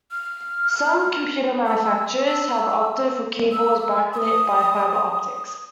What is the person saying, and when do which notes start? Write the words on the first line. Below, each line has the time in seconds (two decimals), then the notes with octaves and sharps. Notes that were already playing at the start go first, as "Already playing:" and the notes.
Some computer manufacturers have opted for keyboards back-lit by fiber-optics.
0.11 F6
1.66 E6
2.28 E6
3.52 E6
4.13 E6
4.17 D#6